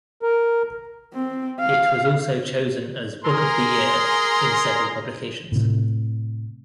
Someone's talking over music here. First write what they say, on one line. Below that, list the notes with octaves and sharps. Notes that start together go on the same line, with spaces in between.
It was also chosen as "Book of the Year" in several publications.
A#4
C4
F5
G#4 A#4 A#5 C6
A2 C3